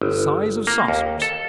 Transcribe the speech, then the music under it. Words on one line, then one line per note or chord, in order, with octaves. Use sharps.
Size of saucers.
G1
A#3
D#2
A4